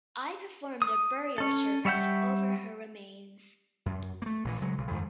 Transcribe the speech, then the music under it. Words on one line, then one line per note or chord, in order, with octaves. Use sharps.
I performed the burial service over her remains.
D#6
C#4 A4
G3 C#5 E5 F#5 G6
F#2
A3 A#3
A#1 A#2 E3
C#3 F#3 G#3
B1
F2 G#2 D#3 F3